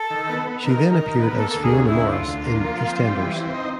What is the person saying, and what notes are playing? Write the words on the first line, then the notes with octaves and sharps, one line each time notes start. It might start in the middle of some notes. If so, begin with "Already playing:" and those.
She then appeared as Fiona Morris in "EastEnders".
Already playing: A4
D#3
B3
B3
B4
D#3 A#4
D#3
A#4
D#3
A#4
B3 B4
A#4
A#3 A4
D2
G#4
C#3
E4
D2
D2 F4
D2
A#3
F3
C4
G3
E3
C4
D#4